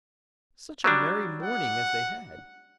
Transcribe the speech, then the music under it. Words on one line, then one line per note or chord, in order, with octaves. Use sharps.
Such a merry morning as they had!
F#3 G3 D4
F#5